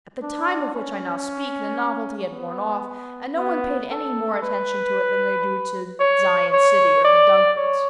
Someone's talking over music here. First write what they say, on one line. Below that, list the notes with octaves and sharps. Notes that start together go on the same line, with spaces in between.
At the time of which I now speak, the novelty had worn off, and no one paid any more attention to it than they do to Zion City or the Dunkards.
D4
C#4
B3
B3
A4
B4
C#5
C#5
D5
C#5